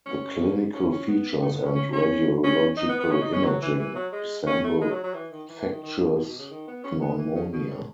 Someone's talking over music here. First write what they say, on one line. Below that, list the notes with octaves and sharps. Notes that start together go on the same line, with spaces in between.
The clinical features and radiological imaging resemble infectious pneumonia.
C#4
C#4
C#4
B3
A3
B3
C#4
C#4
C#4
C#4
D#4
B3
B3
C#4
D#4
C#4
F#3
E3
E3
F#3
G#3
C#4
A3
G#3
F#3
F#3
E3
D#3
E3
E3
D#3
D#3
B2
B2
B2
C#3
D#3
B3
C#4
B3
E3
C#3
B2
C#3